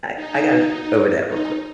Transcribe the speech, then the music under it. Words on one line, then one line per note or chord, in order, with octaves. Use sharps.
I I got over that real quick.
D#4
D#4